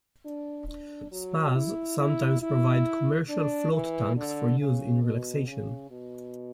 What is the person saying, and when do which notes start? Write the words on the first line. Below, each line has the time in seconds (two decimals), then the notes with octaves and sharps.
Spas sometimes provide commercial float tanks for use in relaxation.
0.25 D4
0.68 D4
1.11 F#3
1.55 E4
1.99 E4
2.42 E4
3.29 D4
3.73 E3
4.16 D3
4.59 C#3
5.02 B2
5.47 C#3
5.90 B2